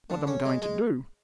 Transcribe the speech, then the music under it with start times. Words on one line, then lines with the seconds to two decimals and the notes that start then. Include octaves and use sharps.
"What um going to do?"
0.10 D3
0.27 C#4
0.45 G#3
0.62 G#3